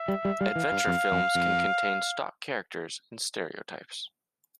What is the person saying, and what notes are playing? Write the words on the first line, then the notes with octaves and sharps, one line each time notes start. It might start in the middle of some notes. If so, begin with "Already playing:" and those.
Adventure films can contain stock characters and stereotypes.
Already playing: E5
G3
G3
G3 F5
E3
G2
F2
F2
F2